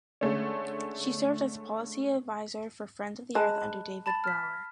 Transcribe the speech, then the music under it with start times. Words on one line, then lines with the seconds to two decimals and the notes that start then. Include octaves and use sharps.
She served as policy adviser for Friends of the Earth under David Brower.
0.21 D3 G#3 A3 C#4
3.35 G#3 A5 B5 F#6
4.06 A5 B5 A6
4.24 F6 B6